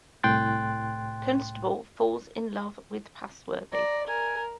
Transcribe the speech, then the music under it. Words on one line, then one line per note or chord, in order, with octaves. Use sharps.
Constable falls in love with Passworthy.
C2 A2 G5 C6 F#6 A6
D5 A#5
A#4 G#5